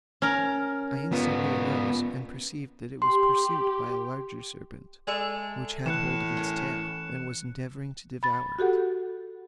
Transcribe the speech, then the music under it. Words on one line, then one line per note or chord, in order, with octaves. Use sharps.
I instantly arose, and perceived that it was pursued by a larger serpent which had hold of its tail, and was endeavouring to devour it.
C#4 A#4
B3 F4
G4 C6
G#3 A4 D5 E5
A2 E3 F#6 C#7 E7
C#4 A#4 G#5
B5 A6
F#4 G4 A4 F#5